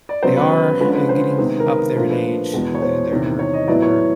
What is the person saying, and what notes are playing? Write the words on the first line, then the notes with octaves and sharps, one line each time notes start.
They are, uh, getting up there in age. And then they're they're
D5
C#3 F#3 B3 C5
B4
B4
D3 F3 G#3 C#4 B4
B4
C5
C3 D#3 G#3 B3
A#4
B4
A#2 F3 A3 D4 A#4
B4
B4
E2 B2 G#3
C#5
C5
E2 C3 D#3
C#5
D#5
A2 F#3 B3 E4 D5
C#5